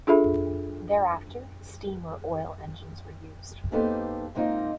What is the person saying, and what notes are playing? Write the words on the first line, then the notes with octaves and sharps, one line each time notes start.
Thereafter steam or oil engines were used.
D4 F4 G#4 A4 E5 B5
A#3 B3 D#4 G4 A4 C5
G#2 A#3 C4 D#4 F4